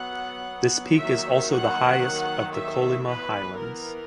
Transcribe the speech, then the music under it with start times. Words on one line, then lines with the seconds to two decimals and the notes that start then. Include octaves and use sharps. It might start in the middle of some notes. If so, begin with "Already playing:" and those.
This peak is also the highest of the Kolyma Highlands.
Already playing: F#3 B3 F#5
0.99 D#3 F#3 A#3 E5
1.51 F#5
2.55 E5
3.07 E3 B3 B4
3.59 A#4